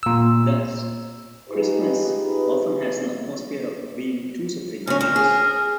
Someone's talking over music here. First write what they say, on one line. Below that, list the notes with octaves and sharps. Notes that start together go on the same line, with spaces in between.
Thus, "Christmas" often has an atmosphere of being two separate divisions.
A#2 E6
D#4 F4 G4 G#4 B4
D2 C#4 A#4
D2
G#4